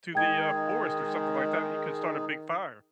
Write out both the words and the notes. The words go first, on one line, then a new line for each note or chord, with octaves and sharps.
to the, uh, forest or something like that? You could start a big fire.
D#3 G#3 D#4 G#4 G5 G#6